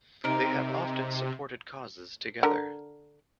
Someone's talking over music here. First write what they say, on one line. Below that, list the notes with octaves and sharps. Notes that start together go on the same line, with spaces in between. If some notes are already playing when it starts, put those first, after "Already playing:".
They have often supported causes together.
C3 D#4 A#4
D3 A#4